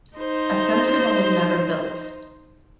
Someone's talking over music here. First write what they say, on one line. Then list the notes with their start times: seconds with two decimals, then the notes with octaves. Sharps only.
A center that was never built.
0.17 D#4 C5